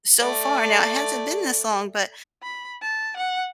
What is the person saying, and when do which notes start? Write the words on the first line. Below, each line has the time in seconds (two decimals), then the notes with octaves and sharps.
so far. Now it hasn't been this long, but
0.21 A3 D5
2.43 B5
2.82 A5
3.17 F#5